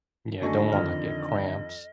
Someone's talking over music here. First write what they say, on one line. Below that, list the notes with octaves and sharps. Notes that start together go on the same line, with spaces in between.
Yeah, don't wanna get cramps.
D#2 D3 F#3 A3 D4 D#5 G#5 C#6
F2 D#3 C4 F6